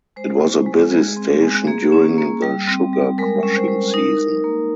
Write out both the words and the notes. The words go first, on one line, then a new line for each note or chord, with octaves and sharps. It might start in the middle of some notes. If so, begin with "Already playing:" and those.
It was a busy station during the sugar crushing season.
G#3 C5
C#4
G#3
G#3 G#4
C4
G#3
A#3 G#4
C#4
A#3
G3
C4
G3
G#3 A#4
C#4
C5
G#3
D#4 A#4
D#4
A#3